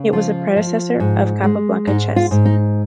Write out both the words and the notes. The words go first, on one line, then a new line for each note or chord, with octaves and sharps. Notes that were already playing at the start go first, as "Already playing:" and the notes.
It was a predecessor of Capablanca chess.
Already playing: C#3
F3 F4
F3
G#2
G#3
G#2 D#4
F4
G#2
D#4